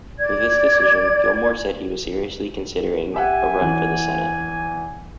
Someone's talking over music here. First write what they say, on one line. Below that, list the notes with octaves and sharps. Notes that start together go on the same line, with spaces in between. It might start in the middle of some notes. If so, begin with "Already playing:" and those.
With this decision, Gilmore said he was seriously considering a run for the Senate.
D5 G#6
G4 E5 F#5 G#5
E2 E3